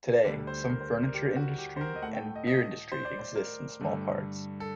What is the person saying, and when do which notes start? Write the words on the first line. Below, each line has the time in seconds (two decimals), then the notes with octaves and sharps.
Today some furniture industry and beer industry exists in small parts.
0.25 D2 D3 G3 D5
0.47 C5
0.70 A#4
0.80 C5
0.91 D5
1.03 A#4
1.14 G4
1.36 F#4
1.58 G4
1.77 C5
1.81 A#4
1.96 D#5
2.02 A3 F#5
2.06 A2
2.14 G5
2.36 D#5
2.47 D#5
2.92 C5
3.05 D5
3.19 C5
3.35 A#4
3.81 G2 D3 A3
4.60 A4